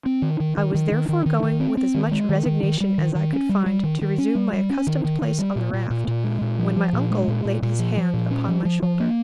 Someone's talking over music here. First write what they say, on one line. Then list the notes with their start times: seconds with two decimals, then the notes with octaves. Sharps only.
I was therefore going with as much resignation as I could find to resume my accustomed place on the raft, when my uncle laid his hand upon my shoulder.
0.06 C4
0.22 D#3
0.40 D#3
0.57 D#3
0.74 D#3
0.92 D#3
1.09 D#3
1.26 D#3
1.43 D#3
1.60 C4
1.77 C4
1.94 D#3
2.12 G#3
2.29 D#3
2.46 D#3
2.63 D#3
2.80 G3
2.98 D#3
3.15 D#3
3.33 C#4
3.49 G3
3.66 G3
3.83 D#3
4.01 D#3
4.18 C#4
4.35 G3
4.53 G3
4.70 C#4
4.87 D#3
5.04 D#3
5.22 D#3
5.39 G3
5.56 A#2
5.73 A#2
5.90 A#2
6.08 A#2
6.24 G#3
6.41 A#2
6.59 F3
6.76 F3
6.93 A#2
7.10 G#3
7.28 A#2
7.45 A#2
7.62 A#2
7.79 F3
7.96 F3
8.14 A#2
8.31 C#4
8.48 F3
8.65 F3
8.82 F3
9.00 A#3